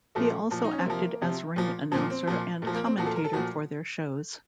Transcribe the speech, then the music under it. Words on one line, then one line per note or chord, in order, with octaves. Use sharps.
He also acted as ring announcer and commentator for their shows.
A#2 F3 A3
A#2 F3
D#4
C#4
C4
C3 F3 A#3
C3 F3
A#2 F3
A#2 F3 C4
C4
A#2 F3
A#2 F3 A3
A#3
C4
A#2 F3 F#4
A4
A#4
A4
A#2 F3 F#4